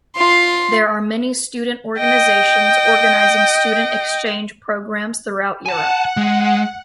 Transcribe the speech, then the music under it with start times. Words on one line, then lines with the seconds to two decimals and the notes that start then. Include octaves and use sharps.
There are many student organisations organizing student exchange programmes throughout Europe.
0.16 F4 C6
1.99 D#5 G5
5.66 F#5 G#5 A5
6.17 G#3